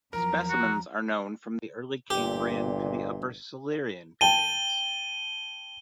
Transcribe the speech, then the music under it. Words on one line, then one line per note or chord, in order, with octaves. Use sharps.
Specimens are known from the early Cambrian to the upper Silurian periods.
E2 F3 F#3 A#4 A#5
F#4
G1 A#2 G4
G5 A5 D#7 G7